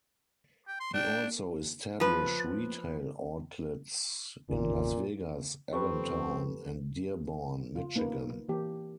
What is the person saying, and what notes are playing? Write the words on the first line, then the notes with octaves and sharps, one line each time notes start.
He also established retail outlets in Las Vegas, Allentown, and Dearborn, Michigan.
G5
C6
D4 G5
F3 B4
G#1 E2 A#2 C#3
F2 C4 G4 A4 B4 C#6
C#3 F4
A#3 D#4 B4
E3 A#3 G4